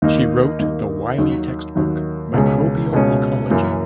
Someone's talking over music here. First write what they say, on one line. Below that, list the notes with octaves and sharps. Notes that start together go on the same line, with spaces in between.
She wrote the Wiley textbook "Microbial Ecology".
D#2 D#3 A#3 D#4
D#2 D#3 A#3 D#4
D#2 D#3 F#3
D#2 D#3 F#3
C#2 B2 G#3 C#4
C#2 B2 G#3 C#4
F#2 E3 A#3 C#4